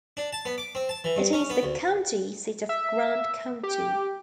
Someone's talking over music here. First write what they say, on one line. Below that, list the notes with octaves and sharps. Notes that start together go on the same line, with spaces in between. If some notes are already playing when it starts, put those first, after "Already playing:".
It is the county seat of Grant County.
D4
A5
B3
D6
C4
A5
E3
G2
C#4
B3
D2
E5
G4